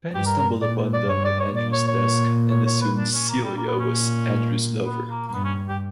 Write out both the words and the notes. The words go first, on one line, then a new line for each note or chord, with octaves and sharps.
Penny stumbled upon them in Andrew's desk, and assumed Celia was Andrew's lover.
G2 G4
A#4
A#4
A#2 D5
D5
G2 C#5
D5
C#5
A#2 D5
C#5
C#5
C#5
C#5
B4
D4
C#4
A#3
A#2 G3
A#3
B3
C#4
B3
A#3
A#3
G2 B3
C#4
G4